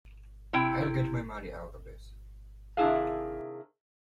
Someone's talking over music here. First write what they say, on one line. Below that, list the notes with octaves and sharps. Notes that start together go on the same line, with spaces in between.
I'll get my money out of this.
C3 E4 G5
C3 D#3 D4 E4 G#4 F5